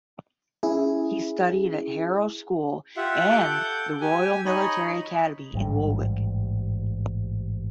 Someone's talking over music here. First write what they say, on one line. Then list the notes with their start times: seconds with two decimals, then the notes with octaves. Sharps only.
He studied at Harrow School and the Royal Military Academy in Woolwich.
0.63 C#4 E4 G#4
2.97 F4 G4 E5 F#5
3.30 A4 F#5 D6 G6
4.01 G4 G#5
4.46 D#4 C#5 D#5 B5
5.54 A1 G#2 G3